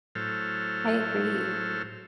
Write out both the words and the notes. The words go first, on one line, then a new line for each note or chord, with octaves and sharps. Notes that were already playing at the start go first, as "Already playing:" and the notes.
I agree,
A2 F#3 A4 C5 F6